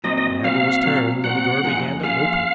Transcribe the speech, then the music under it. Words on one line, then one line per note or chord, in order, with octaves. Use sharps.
The handle was turned, and the door began to open.
A#2 F#3 C4 D#5
D#5
A#2 F#3 C4 F5
A#2 F#3 C4
A#2 F#3 C4 F#5
F#2 F3 A#3 F4 G#4
F#2 F3 A#3 F4 G#4 F5